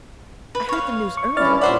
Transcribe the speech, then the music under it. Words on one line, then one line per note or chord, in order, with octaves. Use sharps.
'I heard the news early.
B4
C#5 F5
C#6
G2 C#4 E4 D5 F6 A6
A#2 E4 C5 D5 E5 F#5